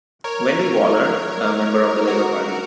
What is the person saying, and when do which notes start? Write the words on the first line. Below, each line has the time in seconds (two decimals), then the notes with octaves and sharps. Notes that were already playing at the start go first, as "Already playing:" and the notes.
Wendy Waller, a member of the Labor Party.
0.24 A#4 C#5
2.08 F#4 A#4